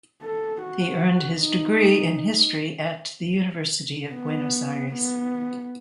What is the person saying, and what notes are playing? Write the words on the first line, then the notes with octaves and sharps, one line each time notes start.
He earned his degree in history at the University of Buenos Aires.
A4
F#4
D#4
B3
B3